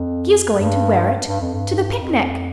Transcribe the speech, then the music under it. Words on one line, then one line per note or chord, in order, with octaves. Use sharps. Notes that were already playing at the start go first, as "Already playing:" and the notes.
She is going to wear it to the picnic.
Already playing: F2
G2
G2
F2
G2
F2